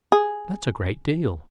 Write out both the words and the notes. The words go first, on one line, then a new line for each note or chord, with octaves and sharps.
"That's a great deal."
G#4